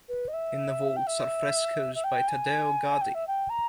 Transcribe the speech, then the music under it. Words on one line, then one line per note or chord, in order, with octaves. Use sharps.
In the vaults are frescoes by Taddeo Gaddi.
B4
D#5
E5
G5
E5
E5
G5
G#5
G5
E5
G5
A#5